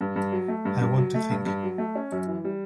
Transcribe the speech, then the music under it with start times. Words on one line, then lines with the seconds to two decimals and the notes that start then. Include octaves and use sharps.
I want to think.
0.01 G2
0.16 G2
0.32 F#3
0.48 A3
0.65 G2
0.81 G2
0.97 F#3
1.14 A3
1.30 G2
1.46 G2
1.63 F#3
1.78 A3
1.95 C#4
2.12 F#2
2.27 E3
2.44 G3